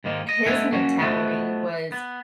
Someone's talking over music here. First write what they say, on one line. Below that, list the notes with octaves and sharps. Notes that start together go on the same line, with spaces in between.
his mentality was,
G#2 D#3 A#3 D#4
D#5
A3 B3 D#4 E4 F#5 G#5
A#3 C#4 F#4
F3 F#3 A3 B3 D#4 F#4
B3